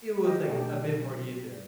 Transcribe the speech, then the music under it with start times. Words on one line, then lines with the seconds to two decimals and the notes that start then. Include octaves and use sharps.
it was, like, a bit more easier.
0.24 G4 D#5
0.49 B1 A3 D4 G4 G5